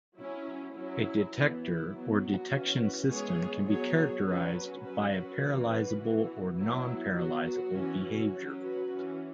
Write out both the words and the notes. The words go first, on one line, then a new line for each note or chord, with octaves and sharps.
A detector, or detection system, can be characterized by a "paralyzable" or "non-paralyzable" behaviour.
F#3 C#4 E4
F#3 C#4 E4
E3 B3
E4
F#3 B3
F#4
E3 C#4
F#4 B4
E3 G#3 B3 G#4 C#5
F#3 B3 G#4 C#5
F#3 C#4 F#4 B4
F#3 C#4 F#4 B4
F#4 B4
E3 C#4
F#4 B4
E3 B3 F#4
F#3 B3 E4
F#3 B3 F#4
F#4
E3 C#4
F#4
F#3 C#4
F#4 B4
E3 C#4